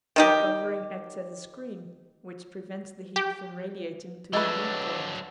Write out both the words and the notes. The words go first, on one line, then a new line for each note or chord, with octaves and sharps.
The covering acts as a screen, which prevents the heat from radiating to the dew point.
D#3 D#4 G4
G4
F#3 G#3 A3 D4 B4 E6 A6